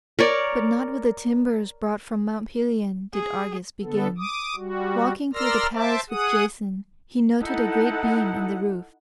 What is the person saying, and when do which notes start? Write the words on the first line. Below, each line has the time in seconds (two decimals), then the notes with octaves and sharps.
But not with the timbers brought from Mount Pelion did Argus begin. Walking through the palace with Jason he noted a great beam in the roof.
0.19 A#4 C#5 D5
3.13 G#4
3.83 D3 B3 A4
4.18 D6 D#6
4.56 G3 F#4
5.34 A#4 D5 C6 E6 F6 A#6
5.74 C5 E5 A5 D6
6.10 G#4 F#5 D#6
7.43 D#4 E4 A4 F#5